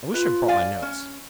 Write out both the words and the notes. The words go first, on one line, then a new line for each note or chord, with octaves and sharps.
I wish I'd brought my notes.
F4 B4
D5 F5 G#5
C#4